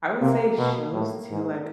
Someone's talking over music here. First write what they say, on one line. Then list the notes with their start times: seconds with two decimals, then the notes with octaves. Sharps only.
I would say shows too like
0.21 C3 A#3
0.58 B2
0.93 A2
1.30 G#2